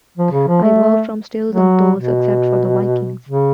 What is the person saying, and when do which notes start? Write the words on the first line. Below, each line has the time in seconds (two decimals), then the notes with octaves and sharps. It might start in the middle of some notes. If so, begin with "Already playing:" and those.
I worked from stills on those, except for "The Vikings".
0.18 F3
0.32 C#3
0.48 F3
0.62 A3
1.51 F#3
1.96 B2
3.29 C#3